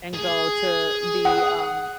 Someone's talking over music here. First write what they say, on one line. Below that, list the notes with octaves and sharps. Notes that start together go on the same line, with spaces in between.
and go to the, um
G#4
F#5 D#6 F#6